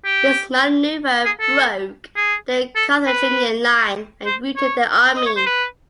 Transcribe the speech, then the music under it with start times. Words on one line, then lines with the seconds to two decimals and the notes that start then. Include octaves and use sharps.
This manoeuvre broke the Carthaginian line and routed their army.
0.05 G4
1.25 G#4
1.40 A4
2.16 G#4
2.75 A4
3.07 B4
4.26 C5
4.56 C#5
5.16 D#5
5.26 C#5
5.36 C5
5.46 B4